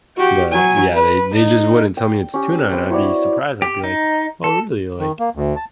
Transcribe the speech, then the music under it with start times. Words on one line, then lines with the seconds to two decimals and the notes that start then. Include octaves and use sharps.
but yeah, they they just wouldn't tell me it's tuna, and I'd be surprised, I'd be like, "Oh, really?" Like
0.17 F#4 G4
0.51 F#3 G#5
0.94 B4
1.34 D#4
1.97 G5
2.34 C#4 G4
2.72 C4 B4 G5
2.90 E4 F#4 C#5 D5
3.62 G4
3.84 D#4
4.44 A4
4.99 D#3
5.19 A#3
5.35 D2
5.56 A5